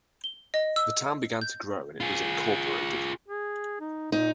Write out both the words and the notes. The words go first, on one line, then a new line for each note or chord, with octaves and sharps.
The town began to grow and it was incorporated.
G7
D#5
E6
G6
F4 G#4
G#4
D#4
A#2 D#4